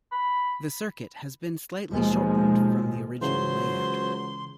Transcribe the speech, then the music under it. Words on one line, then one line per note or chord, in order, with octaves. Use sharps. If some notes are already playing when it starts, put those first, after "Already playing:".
The circuit has been slightly shortened from the original layout.
B5
D#2 B2 F3 G#3
C#2 C#3 E3 F#3 C5 C6